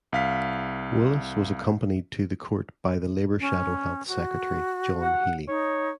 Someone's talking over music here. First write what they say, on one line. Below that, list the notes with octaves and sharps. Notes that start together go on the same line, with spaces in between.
Woolas was accompanied to court by the Labour Shadow Health Secretary John Healey.
C2 F5 B6
C#4
F#4
F#5
D#4 C#5